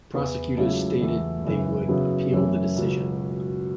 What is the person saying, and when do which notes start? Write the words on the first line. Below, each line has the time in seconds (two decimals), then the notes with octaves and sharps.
Prosecutors stated they would appeal the decision.
0.14 E2 E3 B3
0.57 C#2 C#3 F#3 A3 E4
1.01 E2 E3 A3
1.44 F#2 C#3 E3
1.88 C#3 F#3 B3 E4
2.32 F#2 E3 A3 C#4 E4
2.76 C#2 B2 F#3